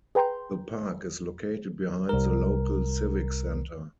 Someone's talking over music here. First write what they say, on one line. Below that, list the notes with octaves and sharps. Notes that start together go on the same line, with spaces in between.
The park is located behind the local Civic Center.
G#4 B4 G5 A#5 C6 G6
C2 A#4